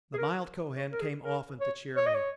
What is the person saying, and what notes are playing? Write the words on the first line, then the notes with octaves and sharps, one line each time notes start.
The mild Kohen came often to cheer me.
G#4
A#4
C#5
A#4
G#4
A#4
C#5
C#5
D#5
C#5